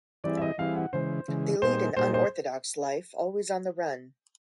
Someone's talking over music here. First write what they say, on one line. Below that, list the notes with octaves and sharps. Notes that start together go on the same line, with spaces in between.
They lead an unorthodox life, always on the run.
E3 G3 C4 E4 G#4 D5
E5
D#5
E3 G3 C4 E4 G#4 F5
F#5
C#3 E3 G#3 C5
C#3 E3 G#3
A#2 G3 A#3 D#4 G#4 C5
A#2 G3 A#3 D#4 G#4 C5
C5